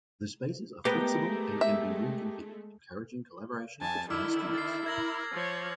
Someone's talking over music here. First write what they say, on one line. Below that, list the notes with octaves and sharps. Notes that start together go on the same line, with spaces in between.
The spaces are flexible and can be re-configured, encouraging collaboration between students.
G#3 A3 B3 G4 A#4 G5
E5
F2 G#5 A5
D3 D#3 E4 D6 E6 F6
A6 C7
A#4 G#6 A#6 F#7
F3 C#5